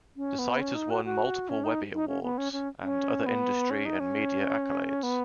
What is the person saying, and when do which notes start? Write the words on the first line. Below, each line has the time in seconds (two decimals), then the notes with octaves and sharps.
The site has won multiple Webby Awards and other industry and media accolades.
0.17 C#4
0.39 B3
0.61 C#4
0.75 D#4
0.90 F#4
1.05 F#4
1.49 C#4
1.64 D#4
1.94 D#4
2.08 C#4
2.23 B3
2.38 C#4
2.52 C#4
2.82 C#4
3.26 B3
3.71 C#4
3.85 D#4
4.00 C#4
5.03 B3